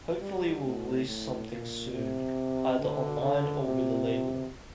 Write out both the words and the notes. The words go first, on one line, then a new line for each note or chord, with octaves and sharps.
Hopefully we'll release something soon, either online or with a label.
G3
A2
A2
A#2
C3
D3
D3
C3